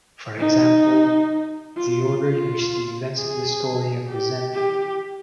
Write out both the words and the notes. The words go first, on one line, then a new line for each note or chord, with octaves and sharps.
For example, the order in which the events of the story are presented.
D#4
F4
F4
G#4
G4
G4